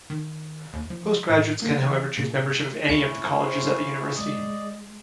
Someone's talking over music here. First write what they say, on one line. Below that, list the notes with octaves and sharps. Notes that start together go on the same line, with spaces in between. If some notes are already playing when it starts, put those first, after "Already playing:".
Postgraduates can however choose membership of any of the colleges at the University.
D#3
D#2
F3
A2
A#3
E3
A#2
D2 C#4 E4 C#7
C5
G#3 D5 D#5